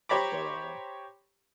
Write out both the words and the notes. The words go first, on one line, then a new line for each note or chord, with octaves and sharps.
but, um
G4 C5 C#5 A#5 B5 D6